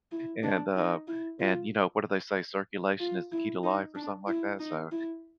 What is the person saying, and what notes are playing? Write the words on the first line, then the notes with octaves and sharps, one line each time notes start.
And, um and, you know, what do they say, "Circulation is the key to life," or something like that, so
E4
D4
D#4
E4
F4
F4
E4
D#4
D4
E4
D#4
E4